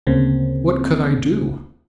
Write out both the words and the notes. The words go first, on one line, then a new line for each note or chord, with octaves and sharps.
What could I do?
D2 C#3 A#3 C4